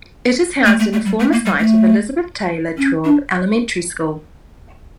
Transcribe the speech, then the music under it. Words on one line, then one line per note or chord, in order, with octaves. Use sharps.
It is housed in the former site of Elizabeth Taylor Traub Elementary School.
A3
A3
A3
G3
A3
A#3
G3
A3
C#4
D4